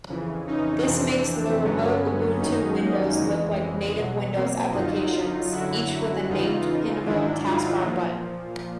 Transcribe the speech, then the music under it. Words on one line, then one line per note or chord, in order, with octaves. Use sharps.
This makes the remote Ubuntu windows look like native Windows applications, each with a named pinnable taskbar button.
F2 C#3 E3
C#4 D#4
F2 C3 E3 C4 D4
G2 D3 F#3 B3 C#4
F#2 D#3 F#3 C#4 D#4
G#3 A#3
F2 C#3 E3 G#3
G#3
E2 B2 F#3
A#3 C4
F#2 D3 F#3 D#4 F4
D#4 F4
F#2 D3 F#3 E4 F#4
E2 C#3 E3 D#4 F4
G#2 D#3 F#3 D4 E4
D#4 F4
A#2 F3